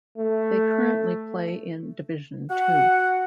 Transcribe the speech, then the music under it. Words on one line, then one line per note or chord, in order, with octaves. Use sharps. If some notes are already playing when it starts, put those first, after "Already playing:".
They currently play in Division Two.
A3
F#4 F#5